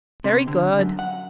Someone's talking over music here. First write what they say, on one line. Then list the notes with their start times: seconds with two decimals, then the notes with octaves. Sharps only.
Very good.
0.24 C3
0.48 D3
0.78 F#2
0.99 F#5